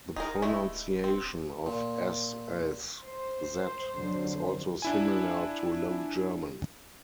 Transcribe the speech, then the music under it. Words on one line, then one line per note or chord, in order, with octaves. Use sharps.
The pronunciation of "s" as "z" is also similar to Low German.
D1 D#4 G#4 A#4
G#3 A3 E4
C4
A#2
C5
F2 D3 F#3
D4 E4 G#5